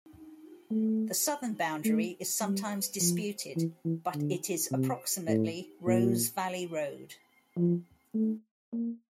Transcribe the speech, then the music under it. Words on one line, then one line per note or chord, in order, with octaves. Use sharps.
The southern boundary is sometimes disputed, but it is approximately Rose Valley Road.
A3
A3
G3
F3
E3
E3
D3
C3
A2
A#2
F3
A3
A#3